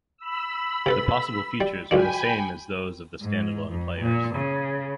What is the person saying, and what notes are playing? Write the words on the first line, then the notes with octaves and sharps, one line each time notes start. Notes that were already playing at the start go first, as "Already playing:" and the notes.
The possible features are the same as those of the standalone players.
B5 E6
C3 A4 B4
G3
C#2 F#2 D4 G5 G#5 B5
G#2
F2
A#2
C#3